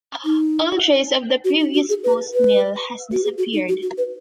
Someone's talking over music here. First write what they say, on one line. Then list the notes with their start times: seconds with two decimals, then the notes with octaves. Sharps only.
All trace of a previous post mill has disappeared.
0.25 D#4
1.45 F#4
1.60 D#4
1.74 F#4
1.89 G#4
2.04 B4
2.34 B4
3.12 F#4
3.24 G#4
3.38 F#4
3.53 D#4
3.69 F#4
3.82 F#4
3.98 B4